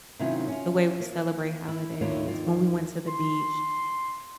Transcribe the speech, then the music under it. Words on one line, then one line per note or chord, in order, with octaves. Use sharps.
the way we celebrate holidays when we went to the beach
C3 D#3 F#3 C#4 E4 F4
C#4 F4
A#3
E4
D#2 A2 A#3 D4 F4 C#5
D#2 A#3 F4
C6